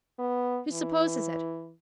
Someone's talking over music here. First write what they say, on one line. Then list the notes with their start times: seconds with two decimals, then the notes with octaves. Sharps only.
Who supposes it?
0.19 B3
0.72 E3